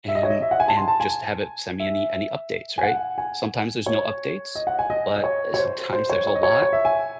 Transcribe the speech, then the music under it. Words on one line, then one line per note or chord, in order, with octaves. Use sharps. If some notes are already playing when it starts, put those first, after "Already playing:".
and and just have it send me any any updates, right? Sometimes there's no updates, but, eh, sometimes there's a lot.
E5
D#5
C#5
D#5
E5
F#5
G#5
A5
C6
A5
G#5
E5
G#5
F#5
G#5
C#5
D#5
F#5
G#5
D#5
D#5
C#5
C#5
C5
C5
C#5
C#5
D#5
C#5
C#5
E5
G#5